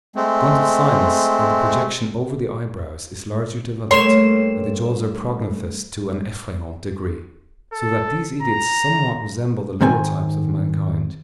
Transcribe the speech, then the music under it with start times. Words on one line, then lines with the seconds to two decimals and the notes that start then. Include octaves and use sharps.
The frontal sinus, or the projection over the eye-brows, is largely developed, and the jaws are prognathous to an "effrayant" degree; so that these idiots somewhat resemble the lower types of mankind.
0.16 G#3 A3 C4
3.91 G2 A3 A#3 C#5 C6 E7
7.73 A4
8.42 A#5
9.81 G#2 D#3 C4 G#5